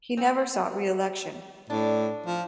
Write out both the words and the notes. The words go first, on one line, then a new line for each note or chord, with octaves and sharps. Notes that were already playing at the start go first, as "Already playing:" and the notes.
He never sought re-election.
C4
A2 D4
F3